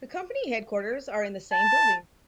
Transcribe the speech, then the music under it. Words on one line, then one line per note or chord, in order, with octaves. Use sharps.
The company headquarters are in the same building.
A5